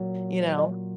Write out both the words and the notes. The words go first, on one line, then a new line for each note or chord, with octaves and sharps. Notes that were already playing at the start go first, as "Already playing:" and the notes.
you know?
Already playing: A#2 F#3